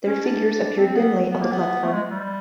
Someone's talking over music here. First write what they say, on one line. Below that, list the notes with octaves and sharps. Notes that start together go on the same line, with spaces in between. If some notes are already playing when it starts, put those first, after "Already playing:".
Their figures appeared dimly on the platform.
C#4
D4
C4
B3
B3
A#3
B3
A3
G#3
G3